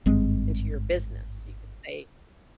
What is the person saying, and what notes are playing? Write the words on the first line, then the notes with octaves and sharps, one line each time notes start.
into your business. You could say,
G#1 G2 G#3 C4